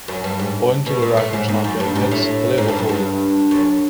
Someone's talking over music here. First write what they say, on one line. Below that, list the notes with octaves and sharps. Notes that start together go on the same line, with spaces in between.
Owing to the records not being hits, the label folded.
F#2
G2
G#2
B2
A#2
A2
G#2
G#2
F#2
G2
G#2
A2
G#2
G2
F#2
G2
F#2